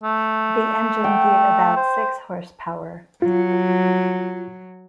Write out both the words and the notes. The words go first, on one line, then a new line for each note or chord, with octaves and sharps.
The engine gave about six horse-power.
A3
G5
C5
F#3 F4